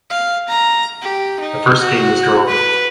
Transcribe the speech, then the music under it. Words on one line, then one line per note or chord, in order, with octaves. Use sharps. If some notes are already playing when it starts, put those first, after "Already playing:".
The first game was drawn.
F5
A#5
G4
D#4
F#4
B4